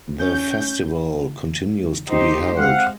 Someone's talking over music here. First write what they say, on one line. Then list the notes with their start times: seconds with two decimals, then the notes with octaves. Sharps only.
The festival continues to be held.
0.19 C#4 G6
2.08 D#4 G4 C5
2.56 G#3 C4 F5 F#5